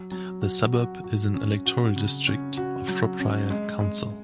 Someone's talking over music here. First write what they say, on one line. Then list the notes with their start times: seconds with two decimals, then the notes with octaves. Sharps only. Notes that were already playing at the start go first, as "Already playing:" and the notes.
The suburb is an electoral district of Shropshire Council.
Already playing: F#3
0.12 F#3
0.42 F#4
0.73 F#4
1.04 F#4
1.34 C#4
1.66 F#4
1.96 C#3
2.27 C#4
2.57 F#4
2.88 F#3
3.20 C#4
3.50 G#3
3.80 G#3